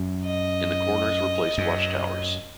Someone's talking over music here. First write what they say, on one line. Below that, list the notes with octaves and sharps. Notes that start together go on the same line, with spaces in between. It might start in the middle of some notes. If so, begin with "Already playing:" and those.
In the corners were placed watch towers.
Already playing: F#2
D#5
F#2